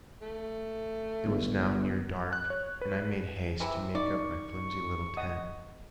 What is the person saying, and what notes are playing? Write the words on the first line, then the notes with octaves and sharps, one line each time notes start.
It was now near dark, and I made haste to make up my flimsy little tent.
A3
G1
F#6
C#5
B4
C3 E3
D#4 D5 C#6
D#5 F#5 D#6